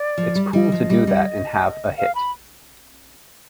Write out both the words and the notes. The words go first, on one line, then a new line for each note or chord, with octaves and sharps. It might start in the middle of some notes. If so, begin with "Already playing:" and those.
It's cool to do that and have a hit.
Already playing: D5
F3
G3
G3 D#5
F3
G3
G3
F5
B5